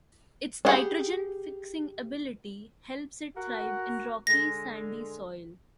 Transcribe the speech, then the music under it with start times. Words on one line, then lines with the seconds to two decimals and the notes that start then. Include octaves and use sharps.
Its nitrogen-fixing ability helps it thrive in rocky, sandy soil.
0.65 D4 G4 G#4 F#5 B5
3.37 F#4 A#4 F#5
4.27 D3 G#3 A#6